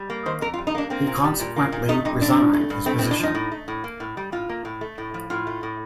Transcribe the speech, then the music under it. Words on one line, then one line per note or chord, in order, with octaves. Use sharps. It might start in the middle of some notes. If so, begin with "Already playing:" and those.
He consequently resigned his position.
Already playing: G3
A#3
D#3 C5
F2 A#4
F4
G3
D#4
A#3 D4
A#3 C4
A#2
G3
A#2
A#3
A#2
A3 D#4
G2 D#4
D3 D4
G2
A3
G2
A3 C4
C4
A2
D4
F3 D#4
A2
A3
A2
A#3
A2
G3
A2 F4
A#3
A2
A3
A2
F3
A2 F4
A3
A2